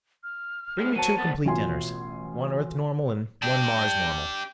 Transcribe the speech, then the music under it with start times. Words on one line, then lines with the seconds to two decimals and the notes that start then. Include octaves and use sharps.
"Bring me two complete dinners--one Earth-normal and one Mars-normal."
0.23 F6
0.79 A2 G#3
0.96 F#3 A#4 C5 A5 D#7
1.18 D2 B3 A6
1.45 A1 B2 F4 G#5 C6
3.42 D4 G4